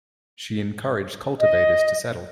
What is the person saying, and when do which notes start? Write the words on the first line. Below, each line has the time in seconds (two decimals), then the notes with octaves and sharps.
She encouraged cultivators to settle.
1.39 D#5